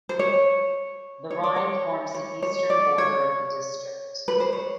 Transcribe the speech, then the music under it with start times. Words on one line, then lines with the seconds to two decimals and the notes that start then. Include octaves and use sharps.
The Rhine forms the eastern border of the district.
0.09 C5
0.19 C#5
1.31 C#5
1.43 D5
1.56 C#5
2.14 C#5
2.42 C#5
2.70 D5
2.98 C#5
4.28 B4
4.40 C5
4.53 C#5